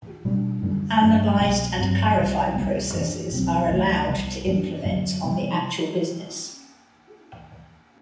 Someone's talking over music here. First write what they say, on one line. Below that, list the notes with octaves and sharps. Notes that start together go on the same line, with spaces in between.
Analysed and clarified processes are allowed to implement on the actual business.
B2 G3 D4
F#2 D3 G3
G2 F#3 A3 D4
C2 B2 F#3 B3
G2 F#3 C4
C2 C3 G3
D2 C3 G3 B3
F#2 E3 B3 D4
C2 B2 F#3 C4
D2 C3 E3 A3
C2 C3 G3 B3
F#2 E3 B3 D4
F#2 D3 F#3
C3 G3 B3